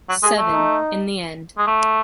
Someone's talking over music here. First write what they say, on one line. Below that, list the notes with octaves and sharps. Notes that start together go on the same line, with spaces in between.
Seven, in the end.
F#3
G#3 G#4
A3
D#4
G#3
A3